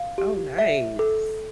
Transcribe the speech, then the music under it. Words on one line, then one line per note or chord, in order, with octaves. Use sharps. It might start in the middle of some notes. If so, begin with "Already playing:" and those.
Oh, nice.
Already playing: F5
G4
E5
A4